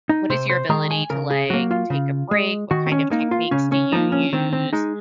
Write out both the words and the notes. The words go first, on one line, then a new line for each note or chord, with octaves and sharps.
what is your ability to, like, take a break? What kind of techniques do you use?
D#4
C3 C5
C5
D#3 G#3 A#5
G#5
C#3 A#4
G#4
F#3 A#3 F#4
F4
C#3
G#3
D#3 F#4
C4
C#4
A#3 D#4
F4
C#3 C#4
C#4
F3 A#3 D#4
C#4
D#3 C4
C4
G#3 D#4